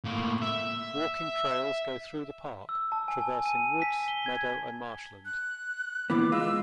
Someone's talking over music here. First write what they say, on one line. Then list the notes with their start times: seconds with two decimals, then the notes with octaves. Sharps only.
Walking trails go through the park, traversing woods, meadow and marshland.
0.04 A2 A#3
0.42 E5
2.69 E6
2.92 A5
3.08 G#5
3.21 G#5
3.46 D#7
3.82 B6
4.08 G7
4.26 G#6
5.25 F#6
6.10 A#2 E3 B3 D6
6.32 G#3 F4 E6